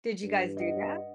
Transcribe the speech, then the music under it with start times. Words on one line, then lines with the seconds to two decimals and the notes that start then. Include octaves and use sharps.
Did you guys do that?
0.23 G2
0.57 D#5 F#5